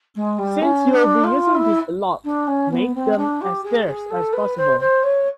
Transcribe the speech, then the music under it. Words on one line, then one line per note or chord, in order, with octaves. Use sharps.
Since you'll be using these a lot, make them as terse as possible.
G#3
G3
C#4
D4
F4
E4
D4
C#4
B3
C4
D4
G4
G#4
G#4
A4
B4
C5
C5
C#5